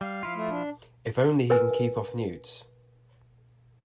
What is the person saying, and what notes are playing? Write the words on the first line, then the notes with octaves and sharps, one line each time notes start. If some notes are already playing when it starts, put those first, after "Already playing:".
If only he can keep off newts.
G3 F5
F3 E4 F4
A3
D4
A#4 B4 G#5